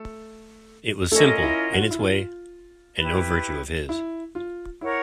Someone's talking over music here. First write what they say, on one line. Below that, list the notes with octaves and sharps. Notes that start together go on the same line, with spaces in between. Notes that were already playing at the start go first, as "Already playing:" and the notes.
It was simple, in its way, and no virtue of his.
Already playing: A3 A4
A3 C#4 F4 A4 A#4 D#5
E4
F#4
F4
E4
F4
E4 G4 B4
E4
F4
E4 A#4 C#5 F#5